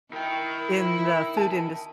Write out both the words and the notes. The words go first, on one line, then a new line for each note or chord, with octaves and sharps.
in the food indust
D#3 E4 G5
A5